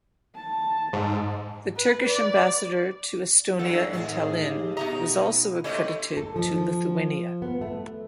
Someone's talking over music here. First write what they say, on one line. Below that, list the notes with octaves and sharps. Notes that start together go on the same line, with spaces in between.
The Turkish ambassador to Estonia in Tallinn was also accredited to Lithuania.
A5
G#2
B4
D5
E2 G2 F#3 A4 F#5
D#2 A2 C4 G#4
D2 G4 F5
B2 D#4 D#5 E5 A#5
A3 C4 C#4 E4 G4 D#5
A4
F3
B3
A3